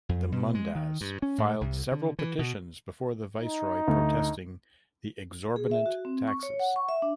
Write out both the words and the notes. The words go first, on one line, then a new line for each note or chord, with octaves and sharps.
The Mundas filed several petitions before the viceroy protesting the exorbitant taxes.
F2
B2
G#3
D#3
G2
C#4
A2
C2
D3
E3
B2
D#4
D2
G#4
E5
F#4
C4
C#6
C#5
F#5
C#6
E5
D4